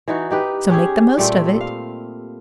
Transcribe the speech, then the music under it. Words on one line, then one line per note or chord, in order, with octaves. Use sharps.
"So make the most of it."
E3 D#4 F#4
D#4 G4 B4
C#4 G4 G#4
A#2 G3 A3 C4
F5